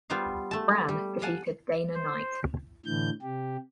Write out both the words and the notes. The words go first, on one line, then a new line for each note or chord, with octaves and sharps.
Brann defeated Dana Knight.
G3 B3 F4 C5 F5
A3 A5
G3
F5 F#5 G#5 A5
C5
A2 D3 E3 G6
C3 G4